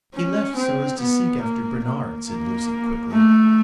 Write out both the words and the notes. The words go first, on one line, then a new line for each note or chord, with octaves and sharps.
"He left so as to seek after Bernard," said Lucy, quickly.
C#4
C4
B3
A#3
A#3
A#3
A3